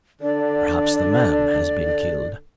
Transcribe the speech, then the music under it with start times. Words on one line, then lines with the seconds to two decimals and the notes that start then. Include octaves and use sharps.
Perhaps the man has been killed.
0.21 D3 D4 A4 D5